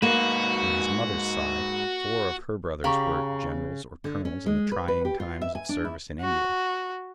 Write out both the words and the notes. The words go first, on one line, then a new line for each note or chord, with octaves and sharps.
On his mother's side, four of her brothers were generals or colonels in the trying times of service in India.
G#2 A#3 F#4 B4
C#3 G4 F5 A#5 B5 C#6
D3
C#4
G#3
B4
B4
G4
F4
E5
G#5
D4
E4
F#4